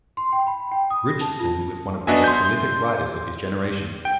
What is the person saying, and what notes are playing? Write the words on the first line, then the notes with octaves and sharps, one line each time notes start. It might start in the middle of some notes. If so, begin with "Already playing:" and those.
Richardson was one of the most prolific writers of his generation.
C6
G5
B5
G5
D#6
A#6
A5
F4
B3 D4 F#4 D#5 E5 G#5
C6 G6
G5